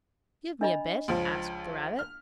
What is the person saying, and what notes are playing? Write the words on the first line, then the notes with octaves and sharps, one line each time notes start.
'Give me a bit,' asked the rabbit.
D4 D#5 B5
C#2 F3
F6